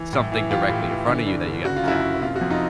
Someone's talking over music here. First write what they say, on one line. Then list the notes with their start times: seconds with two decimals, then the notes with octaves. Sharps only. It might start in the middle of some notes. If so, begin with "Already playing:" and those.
something directly in front of you that you have to tackle.
Already playing: E3
0.13 A2
0.32 E3
0.51 E3 F4 G4
0.70 A2
0.89 E3
1.07 D3
1.27 G2
1.46 D3
1.65 C#3 F#4
1.76 F4
1.84 F#2 E4 F#4
2.03 F#2
2.22 C3 F4
2.36 F#4
2.41 F2
2.50 D#4 F4